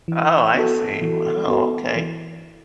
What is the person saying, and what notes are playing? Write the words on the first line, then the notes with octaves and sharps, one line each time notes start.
Oh, I see. Wow, okay.
E3
B3 F#4 A4
E3
B3 F#4 A4
E3